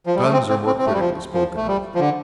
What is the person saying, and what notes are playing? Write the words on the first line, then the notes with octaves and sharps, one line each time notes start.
Guns are more critically spoken of.
F3
G3
A3
C4
C4
C4
C4
A3
G3
F3
F3
A3
G3
F3
D3